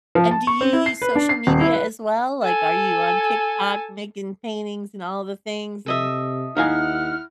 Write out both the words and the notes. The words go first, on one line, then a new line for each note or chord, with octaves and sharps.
And do you use social media as well? Like, are you on TikTok making paintings and all the things and
F3
A5
C#6
C4
E4
C7
B4
D4
C7
D#1
E4
B4
A4 G#5
C3 A4 D#5 E5
D#2 D#4 E4 F5 F#5 G#5 F6